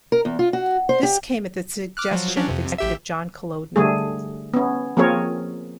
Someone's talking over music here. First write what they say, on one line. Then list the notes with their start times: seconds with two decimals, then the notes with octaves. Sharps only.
This came at the suggestion of executive John Kalodner.
0.12 A#4
0.25 E2
0.39 F4
0.53 F#4
0.89 C5
1.03 G4
1.97 D6 F6 F#6
2.11 F3 F#3
2.36 F#3 C#4 D4
2.48 F2 C3
2.78 A1 G4 E5
3.76 D3 G3 A3 G#4
4.54 B3 C#4
4.97 F3 A#3 C4 G#4 A#4 C#5